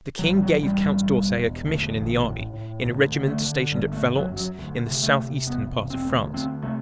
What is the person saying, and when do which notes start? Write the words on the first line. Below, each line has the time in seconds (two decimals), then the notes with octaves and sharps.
The king gave Count d'Orsay a commission in the army in a regiment stationed at Valence in the southeastern part of France.
0.19 A1 F#3
0.30 G3
0.42 F#3
0.49 A1
0.63 G3
0.78 G2
1.07 E1
1.37 E1
1.65 D2
1.95 A1
2.24 A2
2.53 A2
2.83 D2
3.12 D3
3.27 A3
3.42 D3
3.71 G1 G3
3.93 A3
4.01 G1
4.15 F#3
4.29 F#2
4.36 F#3
4.58 D2
4.88 C3
5.03 A3
5.17 C3
5.47 E1 B3
5.76 E1
5.90 C4
6.05 D2
6.34 D2 C4
6.63 C3 A3